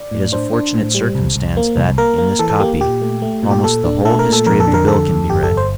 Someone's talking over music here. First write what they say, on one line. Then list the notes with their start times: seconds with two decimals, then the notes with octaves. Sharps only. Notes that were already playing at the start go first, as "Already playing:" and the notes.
It is a fortunate circumstance that, in this copy, almost the whole history of the Bill can be read.
Already playing: D5
0.11 A2
0.32 D4 C5
0.53 D4
0.74 A2
0.95 G3
1.15 C2
1.36 C2
1.57 A#3
1.77 C2
1.98 A#3 A#4
2.18 A#3
2.39 E3 A4
2.50 A4
2.60 A#3 G4
2.81 A#2 G4
3.01 A3
3.22 A3
3.43 A#2
3.51 G4
3.63 A#2 A4
3.85 D4
4.05 A3 A4
4.19 A#4
4.26 A#2
4.33 A4
4.47 F2 A#4
4.60 A4
4.67 D3
4.74 A#4
4.88 F2 A4
5.09 F2
5.29 G1 G4
5.43 A4
5.50 G1
5.57 C5